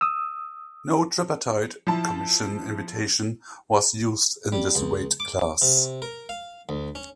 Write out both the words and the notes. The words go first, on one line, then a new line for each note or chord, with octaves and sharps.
No Tripartite Commission invitation was used in this weight class.
D#6 E6
F3 E4 A5
G3
C#2
D6
C3
A#4
F5
D2
C#4